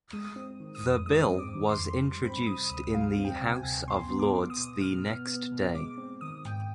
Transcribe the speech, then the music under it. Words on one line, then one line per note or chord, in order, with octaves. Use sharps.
The bill was introduced in the House of Lords the next day.
G#3 D#6
C4
D#3
D#6
F2
G#3 D#6
C4
D6
D#3
C6
F2
G3
C4 B5
C3 D#6
D2 D#6
G3 F5
C4
G5
C3
G#5
D2
B2 C6
B3
D6
B3
D#6
B2
B2 F6
B3
B3
B2
G#3 D6
C4
D#3 D#6
G#2 G5